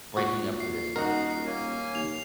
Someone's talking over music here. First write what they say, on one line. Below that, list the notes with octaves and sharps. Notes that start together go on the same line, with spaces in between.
breaking up with a spouse.
A#2 F#4
C7
D#1 D#4 F#4 A#4 F#5 C7
A#3 C#4 G#5
D#2 F7